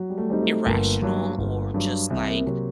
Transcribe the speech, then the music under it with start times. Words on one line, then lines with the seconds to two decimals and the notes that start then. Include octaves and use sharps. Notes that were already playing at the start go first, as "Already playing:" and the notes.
irrational or just like
Already playing: F#3
0.10 G3
0.18 A3
0.30 G3 C4 D#4
0.43 A3
0.66 G1 A#3
1.02 G2 F#3
1.38 G1
1.74 G2 F#3
2.10 C2 C4
2.28 A#3
2.37 C4
2.46 C3 F#3 A#3